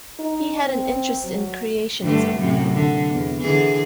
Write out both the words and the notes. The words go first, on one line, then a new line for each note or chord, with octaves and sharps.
He had an interest in creationism.
D#4
C4
F#3
G2 D3 A3
F#2 A2 C3
D3
E2
D3 E3 G#4